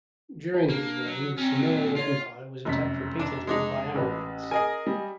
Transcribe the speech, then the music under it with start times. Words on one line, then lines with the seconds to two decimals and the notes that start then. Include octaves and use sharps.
During his reign, the Sumerian empire was attacked repeatedly by Amorites.
0.69 A#3 D4
1.06 F#3
1.38 C4 C#4 D#4
1.56 A#2 F#3
1.96 F4 C#5
2.65 F1 F#2 B6
3.19 D4
3.47 F1 G#3 D4 D#4
3.95 A1 B4
4.51 G#4 A#4 D#5 G#5
4.87 G3